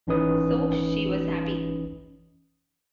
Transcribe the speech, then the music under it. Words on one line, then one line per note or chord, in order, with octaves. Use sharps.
So she was happy.
G#1 E3 C#4 D#4 B4 D#6